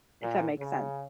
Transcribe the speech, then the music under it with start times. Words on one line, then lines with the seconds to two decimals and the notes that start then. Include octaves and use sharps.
if that makes sen
0.22 A#2
0.59 C#3